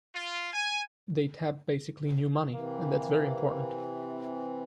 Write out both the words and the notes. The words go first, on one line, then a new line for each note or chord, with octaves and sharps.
They tap basically new money, and that's very important.
F4
G#5
C3 E3 A#3